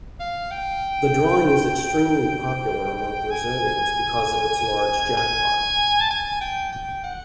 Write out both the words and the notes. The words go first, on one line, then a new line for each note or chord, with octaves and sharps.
The drawing is extremely popular among Brazilians because of its large jackpot.
F5
G5
G#5
G#5
A5
G#5
G5
G5
F#5